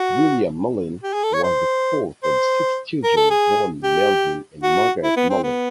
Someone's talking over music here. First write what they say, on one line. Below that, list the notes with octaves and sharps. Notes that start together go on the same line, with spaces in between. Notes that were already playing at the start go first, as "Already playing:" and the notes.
William Mullen was the fourth of six children born Melvin and Margaret Mullen.
Already playing: F#4
G4
G#4
A4
C#5
C5
C5
A#4
A4
G#4
G4
F#4
E4
B3
C4
B3